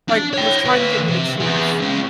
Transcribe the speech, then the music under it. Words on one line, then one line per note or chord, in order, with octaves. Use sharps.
like was trying to get me to choose.
D4
C#5 G5
D3 B4
C3
B3 G#4
C#2 C#3